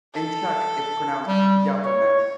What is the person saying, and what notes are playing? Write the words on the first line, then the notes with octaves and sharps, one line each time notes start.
In Czech it is pronounced "Yablonets".
A4
G3
C#5